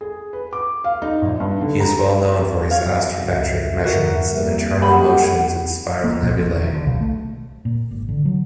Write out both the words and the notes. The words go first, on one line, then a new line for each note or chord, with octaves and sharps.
He is well known for his astrometric measurements of internal motions in spiral nebulae.
G#4
B4
D6
F5
D#4
A#1
G2
D3
A#5
C5
F#3 C#5 F5
C#2 G2 E5
G2 D3 F#4 A#4 F#5
G3 A#3
G4 G#4 C5 F#5 B5
A#3
A#1
F3
D#3
D3
B1
A3
A#2
G#1
D3
F#3